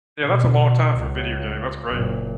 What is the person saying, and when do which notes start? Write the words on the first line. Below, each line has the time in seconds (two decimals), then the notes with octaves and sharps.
Yeah, that's a long time for a video game, that's great.
0.23 B2
0.98 C#2
1.88 F#1 A#2